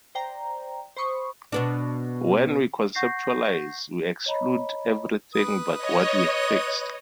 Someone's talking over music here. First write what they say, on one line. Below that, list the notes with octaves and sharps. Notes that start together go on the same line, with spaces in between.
When we conceptualize, we exclude everything but what we have fixed.
C5 D5 G5 A#5
C5 B5 C#6 D#6
B2 B3 D4
F#5 C#6 G6 A#6 C7
C#5 D#5 A#5 B5
B4 D#6
C#5 D#5